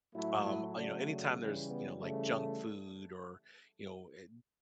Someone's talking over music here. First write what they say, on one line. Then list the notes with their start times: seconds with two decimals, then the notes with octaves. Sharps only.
um, uh, you know, anytime there's, you know, like, junk food, or, you know, eh,
0.14 A2 F#3 A3 E4
0.45 E4
0.76 C#3 F#3 A3 D4
1.07 C#4
1.38 C#3 E3 G3
1.69 B3
2.00 C#3 E3 G3 A3